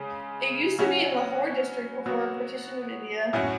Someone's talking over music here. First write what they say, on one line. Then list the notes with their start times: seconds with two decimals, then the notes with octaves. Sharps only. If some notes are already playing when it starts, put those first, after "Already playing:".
It used to be in Lahore district before partition of India.
Already playing: C#3 G#3 C#4
0.79 F#3 C#4 F#4
2.06 F#3 B3 F#4
3.33 A2 F#3 C#4 F#4